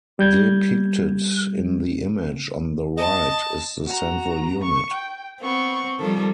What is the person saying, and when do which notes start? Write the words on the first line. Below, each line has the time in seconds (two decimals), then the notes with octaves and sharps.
Depicted in the image on the right is the central unit.
0.19 G3 G6 G#6
2.97 D#5 A5
3.86 F#4 A#5
4.62 C#6
4.93 G5
5.41 B3 C4 C#6
5.99 D#3 F3 G3 A4